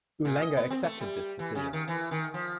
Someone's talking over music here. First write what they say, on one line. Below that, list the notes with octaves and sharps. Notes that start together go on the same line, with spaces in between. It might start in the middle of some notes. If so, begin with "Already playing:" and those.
Ulenga accepted this decision.
A#2
D#5
B3
C4
A3
G3
E3
C#3
D#3
E3
D#3
F3